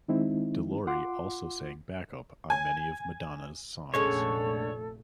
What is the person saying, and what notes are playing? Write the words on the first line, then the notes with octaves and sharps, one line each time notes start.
De Lory also sang backup on many of Madonna's songs.
D#3 G#3 C4 D#4 E4
F4 F#5 C6 D6
G#5
F1 A#1 D3 G#3 A3 C#4 A4 C#5